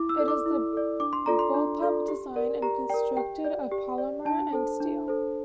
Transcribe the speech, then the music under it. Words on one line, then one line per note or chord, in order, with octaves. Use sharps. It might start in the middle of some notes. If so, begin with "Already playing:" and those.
It is of bullpup design and constructed of polymer and steel.
Already playing: E4 D6
E6
A4 D5
D6
E4
A4 D5
D4 D6
C6
F4 A4 D5 A#5
C6
D4
F4 A4 D5
G4
A#4 D5
G4 A#5
A#4 D5 G5
G4 G5
D5
G4
D5
D4 A5
A4 C5
D4
A4 C5